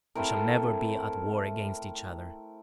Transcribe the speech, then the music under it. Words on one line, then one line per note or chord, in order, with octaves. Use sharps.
We shall never be at war against each other.
A3 C4 E4 A#4